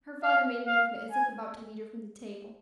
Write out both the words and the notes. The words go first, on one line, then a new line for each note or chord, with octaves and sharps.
Her father made a movement as if about to lead her from the table.
F5
F5
G#5